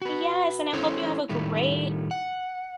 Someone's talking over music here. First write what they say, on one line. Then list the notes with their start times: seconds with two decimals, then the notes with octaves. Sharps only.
Yes, and I hope you have a great
0.02 F#4 B4
0.73 C#4 E4 A4 C5 C#5
1.29 A2 D#3 G3 A3
2.11 F#5